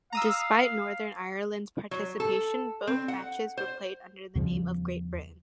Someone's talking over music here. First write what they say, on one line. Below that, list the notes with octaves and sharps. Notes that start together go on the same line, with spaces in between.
Despite Northern Ireland's participation, both matches were played under the name of 'Great Britain'.
F5 A#5 D#6 E6
F#3
A4
C4
F#5
C5
E2 C#3 F3 G3